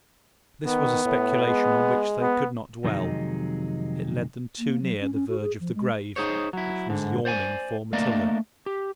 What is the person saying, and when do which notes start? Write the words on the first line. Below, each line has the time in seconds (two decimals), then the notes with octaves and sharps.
This was a speculation on which they could not dwell--it led them too near the verge of the grave which was yawning for Matilda.
0.67 D#3 B3
1.05 A2
1.47 G#3
2.21 B3
2.84 F2 C3 D#3 F#3 G#3 D#4
4.59 A#3
4.82 F#3
5.01 C#4
5.14 C#4
5.29 F#4
5.40 G#4
5.60 F3
5.75 G#3
6.16 D#4 G#4 C5 C#5
6.53 F#3 E4
6.89 G#2 D3
7.25 C5 D5 F#5 G#5
7.93 A3 A#3 D4 A#4 D5 D#5
8.66 G4